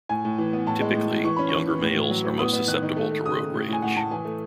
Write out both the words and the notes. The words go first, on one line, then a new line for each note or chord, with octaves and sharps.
Typically, younger males are most susceptible to road rage.
A2 G#5
A2
E3
B3
A2 A5
G#3
A2
A2
E3 C#6
C#4 B5
E3 C#6
E3
A2
A2
F#3
A2
B3 D#6
B3
D#3 F#6
D#3
A3
A3
C#3 D#6
C#3
A2
A2 G#5
A2 F#5
A2 A5
E3 G#5
A3